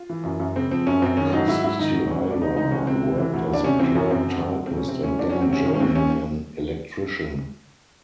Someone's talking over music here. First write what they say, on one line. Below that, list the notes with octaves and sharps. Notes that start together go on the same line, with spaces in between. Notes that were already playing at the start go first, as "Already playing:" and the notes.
Kostyra worked as a clerk-typist and then journeyman electrician.
Already playing: F4
E3
F#2
F#2
C#3 C4
F3 C4
F#2 C#4
F#2 C4
D#3 C#4
F#3 D#4
G#2 E4
G#2 E4
D#3 D#4
F#3
D2 C#4
C#4
D2
D4
C3 D#4
E3 D#4
C#2 C#4
C#2 C4
C3
E3
D2
D2 D4
C3 C#4
E3 C4
F#2 C#4
F#2 C4
D3
F#3
F2
C4
F2 C#4
C3 C4
E3 C#4
E2 D4
F#3 C#4
C4
C3 C#4
D#3
C#4
D#2 C4
D#2 C#4